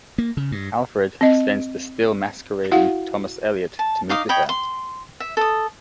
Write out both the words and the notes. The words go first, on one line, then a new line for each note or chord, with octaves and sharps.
Alfred sends the still-masquerading Thomas Elliot to meet with her.
A#3
C#3
G2
C4 D#5
E4 F#4 F5 F#5
A5
D#4 F5 D6 D#6
C#5 D#5 G5 B5
C6
E5
A4 D#6